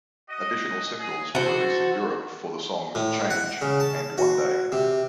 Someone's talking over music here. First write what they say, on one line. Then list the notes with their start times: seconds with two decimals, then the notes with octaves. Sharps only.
Additional singles were released in Europe for the songs "Change" and "One Day".
0.30 F#4 D#5
0.99 G#4
1.35 F#4 A4 C5
2.95 A2
3.30 F#5
3.62 C#3
3.80 A5
4.18 F#4
4.72 C3